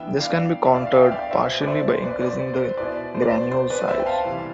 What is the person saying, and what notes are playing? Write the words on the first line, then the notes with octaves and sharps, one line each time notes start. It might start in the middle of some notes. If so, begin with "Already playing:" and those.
This can be countered partially by increasing the granule size.
Already playing: E3 B3 D4 E5 G5
D5 F5
E5
D5 F5
F5
E5 G5
G5
D5 F5
B2 B3 F4 C5 E5
D5
C5 E5
C5
B4 D5
D5
C5
C5
B2 B3 E4 B4 D5
C5
D5
C5
C5
B4 D5
C5 E5
G5
F5 A5
C3 E3 G3